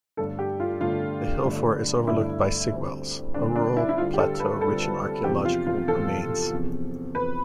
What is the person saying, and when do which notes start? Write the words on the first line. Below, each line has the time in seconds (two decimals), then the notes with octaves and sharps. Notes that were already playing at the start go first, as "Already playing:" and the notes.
The hill fort is overlooked by Sigwells, a rural plateau rich in archaeological remains.
0.17 G1 G2 D3 A3 D4 A4
0.39 G4
0.60 F4
0.81 G1 G2 D3 A3 D4 F4
1.45 G1 G2 D3 A3 D4
2.07 G1 G2 D3 A3 D4 E4
2.71 D2 D3 G3 C4
3.34 D2 D3 G3 C4 D4
3.56 D4
3.77 E4
3.89 E4
3.98 D2 D3 G3 C4 F4
4.14 G4
4.19 A4
4.40 B4
4.61 D2 D3 G3 C4 A4
5.24 E2 C3 F3 G4
5.45 F4
5.67 F4
5.88 E2 C3 F3 A4
6.51 E2 C3 F3
7.14 E2 C3 F3 B4